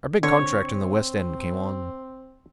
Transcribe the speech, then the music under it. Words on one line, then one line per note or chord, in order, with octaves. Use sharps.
Our big contract in the West End came on.
D3 C4 C#5